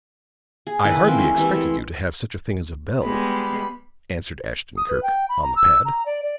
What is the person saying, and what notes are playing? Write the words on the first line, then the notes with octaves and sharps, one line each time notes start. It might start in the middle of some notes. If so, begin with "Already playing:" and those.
"I hardly expected you to have such a thing as a bell," answered Ashton-Kirk, on the pad.
G#4
D#3 E4 B4
G#3 A#3 C4
C#4
E3 G3 C4 E4
G#3 A3
G3 G#3 B3 B5
D#6
B4
G5
B5
A#5
E6
A#5
D5
D5